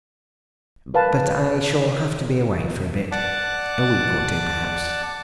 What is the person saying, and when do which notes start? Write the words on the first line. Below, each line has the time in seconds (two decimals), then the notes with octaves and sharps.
"But--I shall have to be away for a bit--week or two, perhaps."
0.94 A#4 B4 F5 A5
3.12 D5 F#5 A5 D6